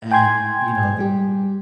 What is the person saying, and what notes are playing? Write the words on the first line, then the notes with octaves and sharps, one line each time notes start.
And, you know, the
G5 G#5 C6 G#6
G3 G4